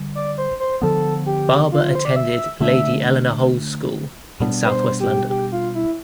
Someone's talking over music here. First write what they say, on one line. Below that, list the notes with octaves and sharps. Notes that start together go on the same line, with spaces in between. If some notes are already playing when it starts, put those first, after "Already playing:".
Barber attended Lady Eleanor Holles School in south-west London.
Already playing: D3 G3
D5
C5
C5
D3 F3 B3 A4
G4
F4
C5
D5
E5
D3 A3 D4 E5
B2 G3 B3 D4
B4
C5
G4
G4
F4
E4